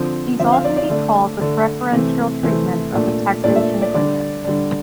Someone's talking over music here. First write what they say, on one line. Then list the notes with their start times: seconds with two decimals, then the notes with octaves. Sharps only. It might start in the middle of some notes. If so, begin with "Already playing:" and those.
These all can be called the preferential treatments of the taxation agreement.
Already playing: D3 F3 C4
0.39 D3 F3 C4 E5
0.52 F5
0.65 D5
0.77 D5
0.90 D3 A3 D4
1.40 D3 A3 D4
1.92 C3 E3 A3 C4
2.43 C3 E3 A3 C4
2.93 A#2 A3 D4
3.43 A#2 A3 D4 D5
3.56 E5
3.82 D5
3.94 D3 G3 D4 D5
4.45 D3 G3 D4